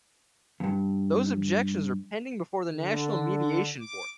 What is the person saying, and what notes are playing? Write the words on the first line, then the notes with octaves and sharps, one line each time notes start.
Those objections are pending before the National Mediation Board.
E2 G2
D3
D6